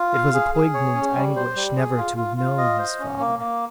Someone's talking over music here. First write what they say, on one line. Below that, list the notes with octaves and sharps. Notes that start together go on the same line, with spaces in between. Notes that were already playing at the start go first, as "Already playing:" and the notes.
It was a poignant anguish never to have known his father.
Already playing: F4
F5
G#4
G#4
C#5
C#4
G3
C5
G3
G#4
F4
F4
F4
D#5
C5
C#4
A#3
A#3